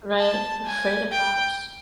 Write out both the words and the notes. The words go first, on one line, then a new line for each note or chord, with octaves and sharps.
Right, afraid of cops.
A5
G#5
G5